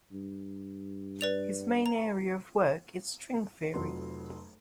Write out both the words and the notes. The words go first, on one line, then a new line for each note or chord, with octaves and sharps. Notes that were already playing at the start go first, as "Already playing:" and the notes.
His main area of work is String Theory.
G2
B4 D5 F7
A#5
F1 F2 F#3 C6